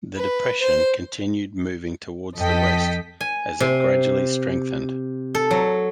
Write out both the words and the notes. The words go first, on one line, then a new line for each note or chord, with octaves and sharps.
The depression continued moving towards the west as it gradually strengthened.
B4
C5
F2 A4 D#5 G5 B6
G#5
C3
A4
F#3